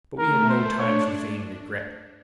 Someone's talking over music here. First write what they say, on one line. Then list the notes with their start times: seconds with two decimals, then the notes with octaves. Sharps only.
But we had no time for vain regrets.
0.18 A3 A#4
0.49 C5
0.78 D4 C#5